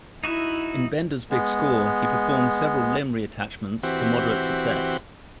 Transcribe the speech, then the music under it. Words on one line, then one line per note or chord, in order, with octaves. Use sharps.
In "Bender's Big Score", he performs several limb reattachments to moderate success.
D#4 E4 F#4 E5
G#3 B3
E3 C4 F#4 G4